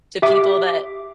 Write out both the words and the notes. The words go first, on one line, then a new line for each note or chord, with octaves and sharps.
to people that
G4 E5 D6